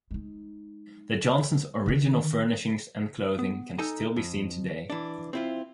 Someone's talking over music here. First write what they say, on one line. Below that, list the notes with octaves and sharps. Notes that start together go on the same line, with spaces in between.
The Johnsons' original furnishings and clothing can still be seen today.
G#3 D#4
D3 D#3
B3
D#4 A4 D#5 G#5 A#5
F2
E3 D4
C4 E4 F4